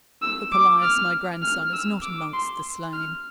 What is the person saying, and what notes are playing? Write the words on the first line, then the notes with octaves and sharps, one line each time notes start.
For Callias, my grandson, is not amongst the slain.
E6
D6
F6
F6
E6
D6
C6
F6